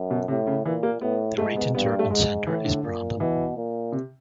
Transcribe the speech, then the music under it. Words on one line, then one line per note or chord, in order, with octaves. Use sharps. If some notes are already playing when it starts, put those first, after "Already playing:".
The region's urban centre is Brandon.
Already playing: F#2
B2
A2 C3
C#3
A#2 E3
A#3
A2 B3
G#2 A3
B3
G2 B3
A#3
A3
G#2 G#3
A2 E3
D3
A#2
B2 E3
A#2
C3